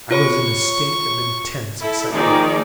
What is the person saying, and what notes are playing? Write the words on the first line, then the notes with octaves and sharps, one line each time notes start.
I was in a state of intense excitement.
F4 C#5 B5 C#6
E4 A4
D#3 F3 A#3 D#4 G#4 D5